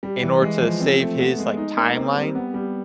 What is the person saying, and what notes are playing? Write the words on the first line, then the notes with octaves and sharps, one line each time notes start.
in order to save his, like, timeline,
G3
E3
G#3
F3
C4
A3
B3
G#3
D#4
A#3
C4
G3
B3
G3